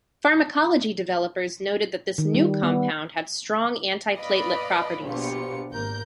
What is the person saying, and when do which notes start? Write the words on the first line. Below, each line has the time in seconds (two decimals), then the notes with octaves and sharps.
Pharmacology developers noted that this new compound had strong anti-platelet properties.
2.18 D#3
2.35 G3
2.63 B3
4.16 B4 D5 D#5 F5 B5
5.04 A#1 B2 B3 F4 G4 C#7
5.72 G#1 A#3 A#4 G6